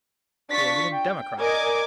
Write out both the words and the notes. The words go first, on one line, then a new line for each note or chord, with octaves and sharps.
He is a good Democrat.
D4 F4 C#6 A6 B6
G5
A#4 D5 D#5 G#5 D6 G#6